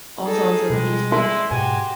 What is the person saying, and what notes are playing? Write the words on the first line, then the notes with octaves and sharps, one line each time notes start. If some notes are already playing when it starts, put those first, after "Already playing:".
All songs are produced by Ant.
D#4 G#4 A4
B2 G3 G#3
E4 C6
G#2 B2 F#4 G4 G#5